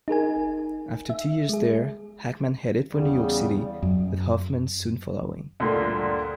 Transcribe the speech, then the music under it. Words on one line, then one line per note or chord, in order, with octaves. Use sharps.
After two years there, Hackman headed for New York City, with Hoffman soon following.
D#4 G#4 A#4 G#5
E5
G#3 G#4
E2 C#3 G3
F#2
D2 G2 A#2 D3